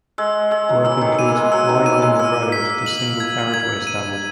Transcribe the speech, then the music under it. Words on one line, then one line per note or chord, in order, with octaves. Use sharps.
Work includes widening the road to single carriageway standard.
G#3 E6
G#3 E6
F#3
E3 E6
D#3
E3 D#7
A#3
G#3
F#3 E6
D#3
E3 D#7
G#3
A#3 E6
B6
F#7
G#6
G#6
D#7